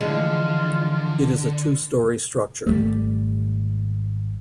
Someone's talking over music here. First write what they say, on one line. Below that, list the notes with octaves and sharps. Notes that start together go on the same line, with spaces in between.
It is a two storey-structure.
D3 E3 F3 G#3 F4
G#1 D#2 G3 A3